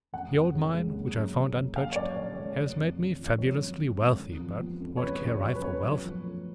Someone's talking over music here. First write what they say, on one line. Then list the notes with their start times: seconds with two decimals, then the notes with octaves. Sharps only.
The old mine, which I found untouched, has made me fabulously wealthy; but what care I for wealth!
0.13 F1 F#5
0.33 F2
0.54 C#3
0.74 G#3
0.95 F#1
1.15 F#2
1.35 C#3
1.55 F#1
1.76 F#1 F5
1.92 C#5
1.96 F#2 D5
2.16 D3 D5
2.36 G#3 C#5
2.57 F1
2.78 F2
2.97 C#3
3.18 F3
3.38 G#1 C#5
3.59 F#2
3.79 D3
4.00 G#1
4.19 F2
4.40 F3
4.61 B3
4.80 F2
4.97 C#5
5.01 C#2 B4
5.22 C#3
5.28 C#5
5.42 F#3
5.55 B4
5.62 B3 C#5
5.73 B4
5.82 F#2
6.03 F3
6.23 A3